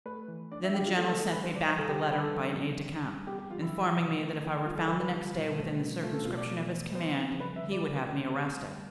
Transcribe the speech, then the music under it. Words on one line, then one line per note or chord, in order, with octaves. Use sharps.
"Then the general sent me back the letter by an aide-de-camp, informing me that if I were found the next day within the circumscription of his command, he would have me arrested."
A3 B4
E3
D4 D5
E5
G3 G4
F4
A3 A4
A4
E3 A4
B4
G3 C5
D5
C3 C5
A4
D4 G4
A4
G3 B4
A4
F3
C3
C4
G3
B3 G4
G4
F3 F4
E4
G3
C3
A3
E3
G3 F4
A4
D3 B4
B4
G3 F4
B2
A3
B2
A3 F4
A4
B2 F4
D5
B3
E3
B3 C5
F3
G3 B4
E5
D3
D5
A3
D3
B3
G3